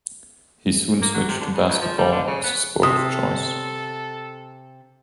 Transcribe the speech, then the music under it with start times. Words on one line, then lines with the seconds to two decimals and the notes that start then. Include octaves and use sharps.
He soon switched to basketball as his sport of choice.
1.02 A#3
1.14 F#3
1.29 C3
1.40 D3
1.54 C#3
1.68 C#2
1.82 F3
1.98 G3
2.12 D3
2.27 C#3
2.44 B3
2.83 C3 A4 D#6